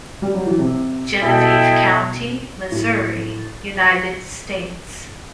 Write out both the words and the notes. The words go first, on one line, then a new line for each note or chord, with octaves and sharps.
Genevieve County, Missouri, United States.
G3
F#3
E3
C3
B2 E4 A4 D#5 G5
A2